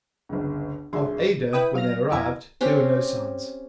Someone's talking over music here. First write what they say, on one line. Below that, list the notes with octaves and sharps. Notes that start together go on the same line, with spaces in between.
Of Ada, when they arrived, there were no signs.
G1 C#2
G#1 G2 G#4 E5 C6
E4 B4 G5 D#6
F#3 F5 F6 A#6
F2 E4 A#5 G#6
C4 C#4 G4